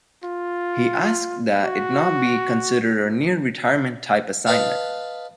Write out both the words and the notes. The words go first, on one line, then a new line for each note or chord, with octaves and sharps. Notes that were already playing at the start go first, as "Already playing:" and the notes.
He asked that it not be considered a near-retirement type assignment.
F4
F#4
B4 D#5 F5 A5